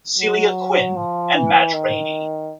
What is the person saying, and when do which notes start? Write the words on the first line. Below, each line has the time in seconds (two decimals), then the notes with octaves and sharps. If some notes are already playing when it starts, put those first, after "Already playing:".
Celia Quinn and Madge Rainey.
0.18 F#3
0.96 F3
1.35 E3
1.74 D#3